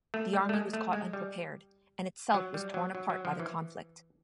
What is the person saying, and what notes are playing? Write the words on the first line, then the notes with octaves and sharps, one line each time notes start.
The Army was caught unprepared, and itself was torn apart by the conflict.
A3
G3
A3
G#3
A3
G#3
G3
F#3
G3
F#3
F#3
F#3
F3
E3